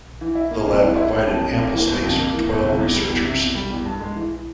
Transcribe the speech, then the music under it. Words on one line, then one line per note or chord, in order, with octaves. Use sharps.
The lab provided ample space for twelve researchers.
E3
E4
A#3
F2
E3
E4
A#3
F2
F2
A#3
E3
G1
F2
A#3
E3
G1
C3
E2
G3
E2
C3
E2
G3
E2
G2
G#3
E3